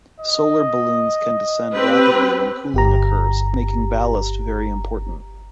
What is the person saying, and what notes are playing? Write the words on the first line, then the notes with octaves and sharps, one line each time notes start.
Solar balloons can descend rapidly when cooling occurs, making ballast very important.
D#5
C4 G4 B4
G1 G4 A#5